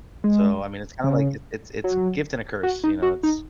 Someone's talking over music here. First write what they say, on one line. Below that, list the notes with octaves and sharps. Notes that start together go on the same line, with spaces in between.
So, I mean, it's kinda, like, it's it's it's gift and a curse, you know? It's
G#3
C#3
F#3
F#4
D#4
F#4
D#4